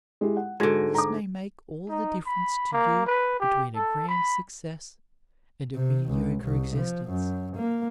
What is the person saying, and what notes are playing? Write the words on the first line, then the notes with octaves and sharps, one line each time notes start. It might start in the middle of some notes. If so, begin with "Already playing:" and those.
This may make all the difference to you between a grand success and a mediocre existence.
G#3 E4 G4
F#5
G#2 D3 F#4 G#6 A#6
A#5 D6
D#4
B5
A#3
B4
G4
A4
B5
C3
C#2
C2
F3
F#2
A#3